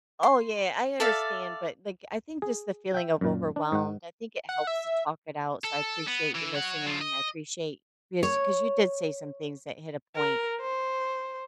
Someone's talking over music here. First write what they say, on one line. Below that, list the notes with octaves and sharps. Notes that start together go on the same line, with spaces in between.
oh, yeah, I understand, but like, I think just the feeling of overwhelmed, I think it helps to talk it out, so, I appreciate you listening. I appreciate because 'cause you did say some things that hit a point
C6
A4 D5 E5 F5
G#4
E5 G5
F#2 A#2
D4
G#2 F#5
F#5
E5
A4
B3
E3
C#5 F#5
F#3 F4
D#5
C#5
A#4
C5